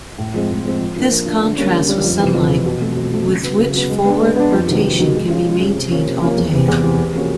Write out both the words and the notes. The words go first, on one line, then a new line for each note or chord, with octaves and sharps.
This contrasts with sunlight, with which forward rotation can be maintained all day.
A2
F3 G#3 C4
A2
F3 G#3 C4
F3
A#3 D4 F4
F3
A#3 D4 F4
D3
G3 A#3 C#4
D3
G3 A#3 C#4
F2
C3 E3
F2
C3 E3
B2
F#3 A3 C4
B2
F#3 A3 C4
C#3
F#3 B3
C#3
F#3 B3
G#3
B3 D4
G#3
B3 D4
F2
C3 D#3 F#3 B3
F2
C3 D#3 F#3 B3
G#3
C#4 F4 G#4
G#3
C#4 F4 G#4
C3
F3 A#3 C#4
C3
F3 A#3 C#4
E2
C3 E3
E2
C3 E3
C3
F3 A#3 C#4 F#4